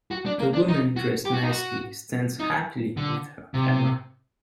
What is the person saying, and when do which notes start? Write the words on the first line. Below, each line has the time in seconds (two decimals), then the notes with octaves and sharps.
A woman dressed nicely stands happily with her camera.
0.11 F#4
0.26 D4
0.39 A#3
0.53 D4
0.68 D#4
0.96 F#4
1.25 G4
1.33 F#4
1.42 D#4
1.50 F#4
2.40 D#4
2.97 D3
3.54 C3